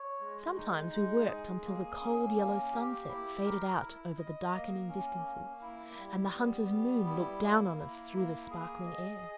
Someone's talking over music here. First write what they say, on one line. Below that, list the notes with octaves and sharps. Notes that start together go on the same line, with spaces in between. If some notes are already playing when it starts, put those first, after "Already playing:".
Sometimes we worked until the cold yellow sunsets faded out over the darkening distances, and the hunter's moon looked down on us through the sparkling air.
Already playing: C#5
G#3
D#4
G#3
G#4
A#3
C#4
A#3
G4
E4
A#4
E4
D#5
A#3
C#4
A#3
E4
G3
B3
G3
E4
A#3
E4
A#3
G#4
D#5
G#4